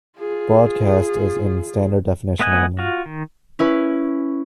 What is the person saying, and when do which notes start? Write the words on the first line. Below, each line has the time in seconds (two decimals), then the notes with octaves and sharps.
Broadcast is in standard definition only.
0.19 F4 G#4
2.39 A3 B3 D#5 F#5 G#5
2.79 F4 F#4
3.06 D#3
3.59 C#4 E4 B4